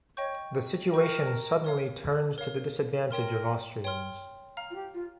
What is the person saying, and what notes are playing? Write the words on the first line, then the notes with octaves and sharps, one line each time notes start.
The situation suddenly turns to the disadvantage of Austrians.
C#5 D#5 G5 C#6 G6
A#4 D#5 G5 C#6 G6
A#4 C#5 F5
A#4 C#5 F5
A#4 C#5 G5 C6 F6
C#5 G5 C6 F6
F5 A#5 F6
F4
G4
F4